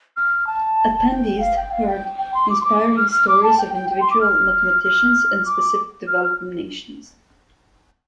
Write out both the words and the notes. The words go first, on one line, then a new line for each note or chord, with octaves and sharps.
Attendees heard inspiring stories of individual mathematicians and specific developing nations.
F6
A5
G5
F5
G5
F5
G5
G5
C6
D6
C6
D6
F6
F6
D6
A5
G5
G5
G5
C6
D6
F6
F6
D6
F6
F6